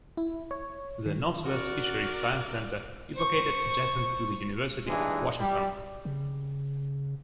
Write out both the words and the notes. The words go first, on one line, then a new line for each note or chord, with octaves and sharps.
The Northwest Fisheries Science Center is located adjacent to the University of Washington.
E4
C#5
D#3
F#4 A#4 D5
C5 C#6
A1 G2 E3 G#3 D4 D#4
G3
C#3